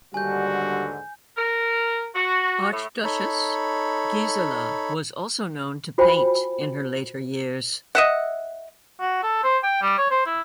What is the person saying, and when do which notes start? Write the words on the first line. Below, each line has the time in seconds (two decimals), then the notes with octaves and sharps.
Archduchess Gisela was also known to paint in her later years.
0.14 D#2 G#2 D3 G3 F#4 G#5 G6
1.37 A#4
2.14 F#4
2.71 A2
3.04 D#4 A4 C#5 B5
5.98 F4 F#4 C5 G5 G#5 B5
7.95 D#5 E5 F#5
9.00 F#4
9.23 A4
9.43 C5
9.63 G5
9.82 G3
9.98 C#5
10.10 C5
10.26 E4